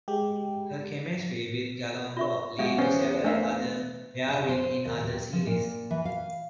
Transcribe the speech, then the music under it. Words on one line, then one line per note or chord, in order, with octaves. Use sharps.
Her chemistry with Gallen Lo lead to several other pairings in other series.
G#3 G4
F4 E5 C#6
G#3 F#4 G#4 E5 F5
E2 B3 C#4 C5
A3 D4 E5 F5
C#3
C5
D#2
G4
F3
A#2
E3
F5